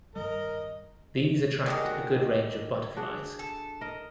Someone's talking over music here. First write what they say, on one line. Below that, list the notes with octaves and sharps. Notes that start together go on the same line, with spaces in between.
These attract a good range of butterflies.
G2 D#3 G3 A#4 D#5
D3 D#3 G4 G#4 A#4 C#5
F#4
D4 F#4 G#4
A4
A#4 D#5